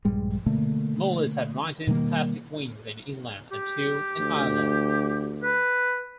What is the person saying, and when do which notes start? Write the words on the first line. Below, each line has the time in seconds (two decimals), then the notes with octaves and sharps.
Murless had nineteen classic wins in England and two in Ireland.
0.05 A#1 G2 G3 G#3
0.46 B2 D3 A3 A#3
1.87 B2 D#3 G3 A#3
3.52 G4
4.20 D2
5.43 B4